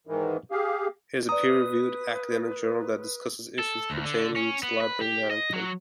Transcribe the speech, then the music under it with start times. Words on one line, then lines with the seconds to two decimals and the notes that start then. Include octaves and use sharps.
It is a peer-reviewed academic journal that discusses issues pertaining to library management.
0.07 G#2 D#3 E3
0.51 G4 G#4 F5
1.29 B4 D5 A#5 D#6
3.59 A4
3.90 D2
4.05 D3
4.36 C#4
4.63 B3
4.80 B4
5.01 G4
5.31 D#5
5.53 F#3